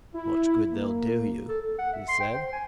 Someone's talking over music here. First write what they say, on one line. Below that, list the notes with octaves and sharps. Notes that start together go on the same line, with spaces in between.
"Much good they'll do you!" he said.
E4
A#3
A4
A4
F#5
E5
C6
G5
C5
G#5